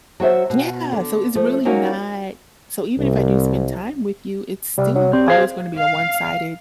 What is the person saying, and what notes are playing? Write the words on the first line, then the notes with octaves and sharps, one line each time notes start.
Yeah, so it's really not so even if I do spend time with you, it's still always gonna be a one-sided
F#3 F#4 C5 E5
B2
D3
F3 A3
F#3 A#3 C#4 D#4 F#4
C2
C2 G3
F#3
G3 C4
F4 G#4 C5 F5
F5